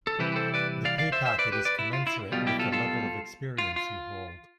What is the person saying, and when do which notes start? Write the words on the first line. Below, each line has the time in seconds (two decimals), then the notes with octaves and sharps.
The pay packet is commensurate with the level of experience you hold.
0.07 A4
0.19 C3 E3 G3 C4 E4 G4 B4
0.32 B4
0.36 A4 C5
0.54 B4 D5
0.85 D5 F5
0.98 D5 F5
1.12 C5 E5
1.25 C5 E5
1.39 B4 D5
1.52 G4 B4
1.65 B4 D5
1.79 E4
1.93 F4
2.07 E4
2.32 B1 B2 G3 F4
2.47 E4 G4
2.59 F4 A4
2.72 F4 A4
3.58 F4
3.76 F4